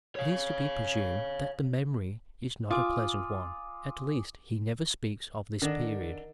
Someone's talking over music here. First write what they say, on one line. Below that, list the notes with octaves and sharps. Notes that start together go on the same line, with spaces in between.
It is to be presumed that the memory is not a pleasant one: at least he never speaks of this period.
C#5 F5
F4 G#5 D6 D#6
D3 D#3 D4